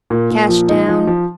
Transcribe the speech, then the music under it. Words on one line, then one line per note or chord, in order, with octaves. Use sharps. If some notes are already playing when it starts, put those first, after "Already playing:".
"Cash down?"
A#2
A#2
F3
D#4
F3
F3